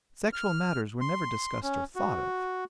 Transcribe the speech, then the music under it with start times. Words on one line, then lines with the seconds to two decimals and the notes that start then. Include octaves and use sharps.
Sexual matters were never discussed or thought of.
0.33 F6
1.01 C6
1.63 C#4
1.96 F#4